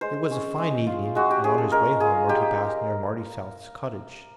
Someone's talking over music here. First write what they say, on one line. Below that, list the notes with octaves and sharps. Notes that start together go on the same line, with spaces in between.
It was a fine evening, and on his way homeward he passed near Marty South's cottage.
G#3 C5
C#4
G#3
F4
G#3 F#4
G4
C#4 G#4
A4
G#3 A#4
F4 G#4
G#3 G4